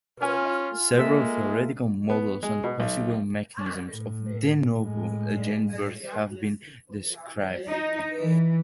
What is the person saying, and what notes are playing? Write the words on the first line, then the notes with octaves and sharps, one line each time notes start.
Several theoretical models and possible mechanisms of "de novo" gene birth have been described.
C#4 F4 G#5 F6
G#3 A#3 F4 A4 E5
B3
G#3
B2
B1
A2
A2 G#3
D#4
E3